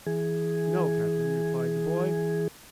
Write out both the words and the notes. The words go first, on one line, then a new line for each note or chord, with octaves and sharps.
"No, captain," replied the boy.
E3 G#4